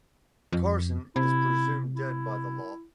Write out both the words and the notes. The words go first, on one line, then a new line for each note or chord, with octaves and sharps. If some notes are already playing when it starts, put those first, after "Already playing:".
Carson is presumed dead by the law.
F2
C3 E4
E4